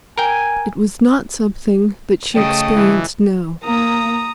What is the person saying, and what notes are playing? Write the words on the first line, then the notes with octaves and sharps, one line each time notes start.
It was not something that she experienced now.
A#4 G5 G#5
C#3 A3 D#5 G5 A5
E3
A#3 A#5 D#6